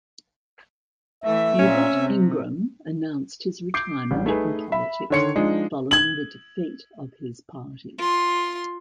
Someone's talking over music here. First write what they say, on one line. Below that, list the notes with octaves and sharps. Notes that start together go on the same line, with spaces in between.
Hubert Ingraham announced his retirement from politics following the defeat of his party.
E3 A3 E5
A#2 C#4
C3
D6 G6 C7 D7
A1 G3
A3 D#4 G#4 B4
E5 B5
D3 D#3 A4 C#5 C6 C#7
F3 G#3 D4 D#4
G#6 F#7
F4 C6